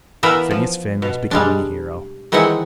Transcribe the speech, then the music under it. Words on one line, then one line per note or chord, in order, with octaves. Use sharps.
Phineas Finn was becoming a hero.
E3 B3 A#4 E5 F5
F3
B2
G3 G#3 D4
D#3 E3 G#3 C4 F#5 G#5